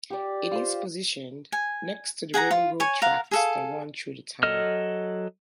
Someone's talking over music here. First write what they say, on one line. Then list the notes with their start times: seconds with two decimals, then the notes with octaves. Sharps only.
It is positioned next to the railroad tracks that run through the town.
0.10 G4 D5
0.51 F4 C5
1.52 G#5
2.34 G#4 F#5 G5 A#5
2.51 F4
2.80 C#5 G#5 C#6
3.02 A#4 F5 F#5
3.31 G#4 A4 F5
4.43 F#3 A4 D#5 F6